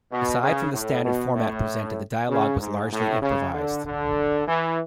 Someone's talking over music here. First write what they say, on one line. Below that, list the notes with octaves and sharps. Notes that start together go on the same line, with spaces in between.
Aside from the standard format presented, the dialogue was largely improvised.
B2
C#3
A2
B2
A2
C#3
G#2
A2
C#3
D3
D3
E3